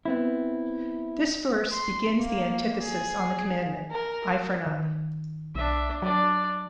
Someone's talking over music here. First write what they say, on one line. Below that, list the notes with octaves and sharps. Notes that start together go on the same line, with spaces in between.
This verse begins the antithesis on the commandment: "Eye for an eye".
B3 C4 E4
C6
A#3
G#4
A#4
D#3
B1 D4 E5
F#3 D4 D5